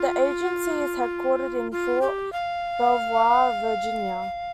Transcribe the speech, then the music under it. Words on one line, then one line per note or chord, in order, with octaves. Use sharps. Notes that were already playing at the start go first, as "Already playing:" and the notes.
The agency is headquartered in Fort Belvoir, Virginia.
Already playing: F4
F4
G4
F5